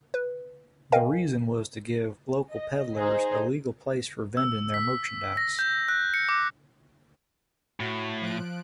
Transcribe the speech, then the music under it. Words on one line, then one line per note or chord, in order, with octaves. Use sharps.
The reason was to give local pedlars a legal place for vending their merchandise.
B4
A#4 D#5 F5 G5 G#5
D#5
D#4 G#4 C5
E6
B6
A#6
G6
F#6
C#7
D6
A2 F#4
F3 F#6 D7